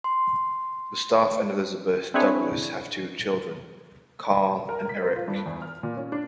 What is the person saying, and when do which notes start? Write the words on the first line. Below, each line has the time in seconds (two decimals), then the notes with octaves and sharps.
Gustaf and Elisabeth Douglas have two children, Carl and Eric.
0.04 C6
2.14 C4 D4 E4 G#4 B4 C#5
4.69 A#4
4.89 B6
5.02 C5
5.16 F4
5.28 G2
5.46 E2
5.62 F6
5.83 A#2
5.97 C#4
6.12 D4